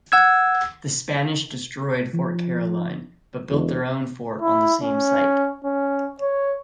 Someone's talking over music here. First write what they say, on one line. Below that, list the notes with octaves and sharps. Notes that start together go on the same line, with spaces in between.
The Spanish destroyed Fort Caroline, but built their own fort on the same site.
F#5 E6 G#6
F3
E1
E4
C#4
C#4
C#5